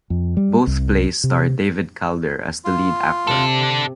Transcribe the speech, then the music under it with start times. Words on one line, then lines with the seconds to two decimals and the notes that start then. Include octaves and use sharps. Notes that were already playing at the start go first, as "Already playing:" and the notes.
Both plays star David Calder as the lead actor.
0.10 F2
0.37 G3
0.67 C2
1.24 C3
2.65 F4
3.27 C3 D4 A4